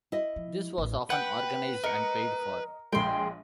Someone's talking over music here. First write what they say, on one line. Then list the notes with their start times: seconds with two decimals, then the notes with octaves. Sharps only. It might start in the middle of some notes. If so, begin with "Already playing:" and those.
This was often organized and paid for.
0.12 E4 D#5
0.36 F3
0.78 A1
1.10 B4 F#5 G5
1.84 A#4 D#5 C#7
2.92 A#1 G#3 G5 C6